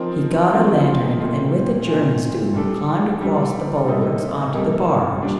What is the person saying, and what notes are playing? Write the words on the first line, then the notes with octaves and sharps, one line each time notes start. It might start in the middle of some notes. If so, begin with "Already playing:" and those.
He got a lantern and with the German student climbed across the bulwarks on to the barge.
Already playing: F3 C4 D#4 A#4
F3 C4 D#4 A#4
A#2 A3 C4
A#2 A3 C4
G3 D4 A4
G3 D4 A4
C3 G3 A#3 D#4 A4
C3 G3 A#3 D#4 A4
A#2 G3 D4